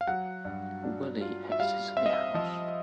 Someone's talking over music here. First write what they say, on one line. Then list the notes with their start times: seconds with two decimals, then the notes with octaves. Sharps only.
Willy exits the house.
0.01 F5
0.08 F#3 F#5
0.45 G2
0.83 D4
1.21 F4
1.52 E5
1.59 G3 F5
1.97 C4 E5
2.06 D#5
2.14 E5
2.34 F3 D#5